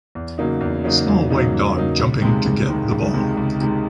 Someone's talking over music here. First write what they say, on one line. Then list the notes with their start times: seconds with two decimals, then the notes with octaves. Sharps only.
Small white dog jumping to get the ball.
0.15 E2
0.38 C#3 F#3 A#3 D#4
0.61 E2
0.84 C#3 F#3 A#3 D#4
1.07 E2
1.30 C#3 F#3 A#3 D#4
1.53 E2
1.76 C#3 F#3 A#3 D#4
1.99 C#2
2.22 C3 D#3 G#3
2.45 C#2
2.68 C3 D#3 G#3
2.91 C#2
3.14 C3 D#3 G#3
3.37 C#2
3.61 C3 D#3 G#3